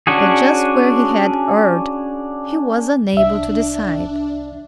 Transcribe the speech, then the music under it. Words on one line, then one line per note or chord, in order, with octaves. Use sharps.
But just where he had erred he was unable to decide.
C#4 D4 F#4 G#4
C2 D4 E5